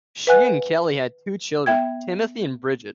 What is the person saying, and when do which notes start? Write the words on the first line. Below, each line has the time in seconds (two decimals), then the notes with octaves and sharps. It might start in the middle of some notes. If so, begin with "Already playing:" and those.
She and Kelly had two children, Timothy and Bridget.
0.27 B4 E5 F#5 G#5 F#6
1.66 B3 E5 G5 G#6